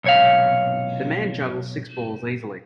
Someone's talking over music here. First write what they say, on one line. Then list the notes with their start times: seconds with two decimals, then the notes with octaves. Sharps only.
The man juggles six balls easily.
0.04 B1 C#5 F5